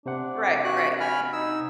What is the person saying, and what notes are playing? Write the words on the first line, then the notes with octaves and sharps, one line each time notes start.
Right, right.
C3 D4 C5 F#5
F#4 F#6
G#5 B5 F6
D#4 E6